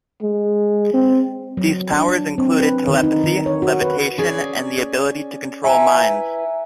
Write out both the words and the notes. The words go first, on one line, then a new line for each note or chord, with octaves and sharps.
These powers included telepathy, levitation, and the ability to control minds.
G#3
C4
F#3
D4
C4
B4
D#3
D#4
D#3
C#5
F#4
B4
C#4 G#4 D5
E4 B4 E5 G#5 A#5